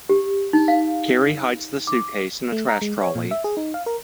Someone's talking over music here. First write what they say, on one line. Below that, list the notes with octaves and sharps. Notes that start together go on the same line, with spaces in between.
Carrie hides the suitcase in a trash trolley.
G4
D#4
F5
D6
A3
A#5
G#3
C#5
A#2
E5
G#4
D#4
F5
A#4